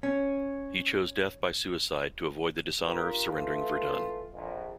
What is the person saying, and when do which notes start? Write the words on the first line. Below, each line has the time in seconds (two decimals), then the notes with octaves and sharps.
He chose death by suicide to avoid the dishonor of surrendering Verdun.
0.03 C#4
2.83 D4 F4 G4 A#4
3.28 E3 A3 F4
4.32 A#1 F2